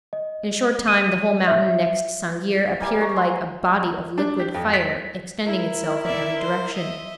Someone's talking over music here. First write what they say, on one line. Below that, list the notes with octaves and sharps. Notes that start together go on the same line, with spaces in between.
In short time the whole mountain next Sang'ir appeared like a body of liquid fire, extending itself in every direction.
D#5
D#7
E5
E3 G3 A#3
G#5 A#5 C#6
C6
D4
G4
F2
B6
E4 A#4
D5 E5
C5
D#5 E5